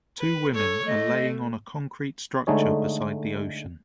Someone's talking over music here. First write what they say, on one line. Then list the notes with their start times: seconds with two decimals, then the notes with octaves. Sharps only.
Two women are laying on a concrete structure beside the ocean.
0.19 B4
0.53 A4 C#5
0.85 A3 D#5
2.47 D3 G#3 A3 D#4 G#4 C#5